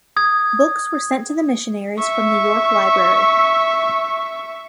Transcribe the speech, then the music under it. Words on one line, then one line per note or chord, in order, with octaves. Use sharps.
Books were sent to the missionaries from the York library.
D#6 G#6
E5 C#6